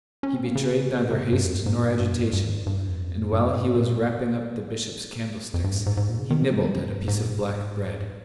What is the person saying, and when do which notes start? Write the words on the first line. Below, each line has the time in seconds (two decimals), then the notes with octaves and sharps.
He betrayed neither haste nor agitation; and while he was wrapping up the Bishop's candlesticks, he nibbled at a piece of black bread.
0.23 C#4
0.34 C4
0.45 A#3
0.55 C#3
1.11 C3
1.33 G2
1.44 F2
1.56 G2
1.66 G#2
1.77 A#2
1.88 G#2
2.00 G2
2.10 F2
2.22 G2
2.33 G2
2.43 G#2
2.66 G2
2.88 F2
3.33 G2
3.44 F2
3.54 G2
3.65 G#2
3.76 A#2
5.54 F2
5.64 G2
5.75 G#2
5.86 G#2
5.97 G#2
6.09 A#2
6.19 C#3
6.30 D#3
6.42 F3
6.54 G#3
6.63 G3
6.75 F3
6.86 G#2
6.97 G2
7.08 G#2
7.19 A#2
7.30 G#2